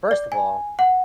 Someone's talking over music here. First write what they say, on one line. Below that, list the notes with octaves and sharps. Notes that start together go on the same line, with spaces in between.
first of all
D5
G#5
F#5